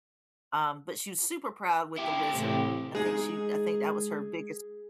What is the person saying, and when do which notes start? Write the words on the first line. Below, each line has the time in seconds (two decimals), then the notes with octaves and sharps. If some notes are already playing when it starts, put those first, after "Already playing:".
um, but she was super proud with the lizard. I think she I think that was her biggest
1.98 E4 G4
2.34 A2 C3 E3
2.95 G#3 D#4 G#4